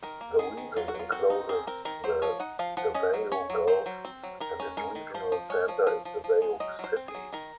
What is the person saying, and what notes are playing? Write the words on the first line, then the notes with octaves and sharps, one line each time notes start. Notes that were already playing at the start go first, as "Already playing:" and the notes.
The region encloses the Davao Gulf and its regional center is Davao City.
D#3 A#4
A#3
D#3 G#4
D#3
F#3 F4
F#4
F#3
F4
C4 F#4
D#4
C4 G#4
C4 A#4
D#3 A#4
F#3 C5
F3 C#5
D#4 F#5
F3 F5
F3 F#5
C#4 D#5
F#3
C#4 C#5
F#3
F#3 C5
F#3
C4
F#3
D#3 A#4
C#4
G#3 A#4
D#3
F3 C5
F3
G#3 C#5
F3
F3
F3
F3
G#3
F#3 D#5
F#3 C5
C4
G#4
F#3
D#3 A#4